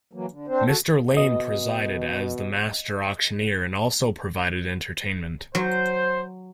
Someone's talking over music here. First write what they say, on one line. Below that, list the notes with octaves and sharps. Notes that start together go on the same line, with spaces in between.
Mr. Lane presided as the master auctioneer and also provided entertainment.
E3 F#3 A#3
D3
C4 D4 C5
F#4 A4
B2 D#5
F#3 C5